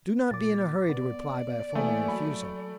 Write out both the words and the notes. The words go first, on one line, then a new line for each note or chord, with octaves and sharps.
Do not be in a hurry to reply by a formal refusal.
A#2 D6 A6
B3 D5
E3 A3 A#3 E5 G#5
F#3 B5